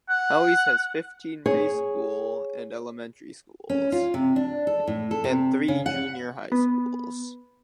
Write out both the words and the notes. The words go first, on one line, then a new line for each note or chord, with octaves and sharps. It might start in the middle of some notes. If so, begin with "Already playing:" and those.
Houilles has fifteen preschool and elementary schools and three junior high schools.
F#5
G#4 C#5
C#4
F4
C3
D4
A4
A2
A4
C3
C#3
F#5
B3